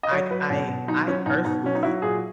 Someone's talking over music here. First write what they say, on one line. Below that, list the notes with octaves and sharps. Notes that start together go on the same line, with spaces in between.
I ca I I personally,
D#5
F#3 C#5
F#3 B4
B2 C#4
B2
F#3 D#4
F#3 C#4
B2 D#4
B2 D#4
F#3 C#4
D#4
F#3 E4
A#2 G#4